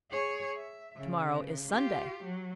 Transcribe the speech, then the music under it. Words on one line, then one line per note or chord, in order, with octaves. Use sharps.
"To-morrow is Sunday."
G#4 C#5
E5
C#3
F4 G4
F#3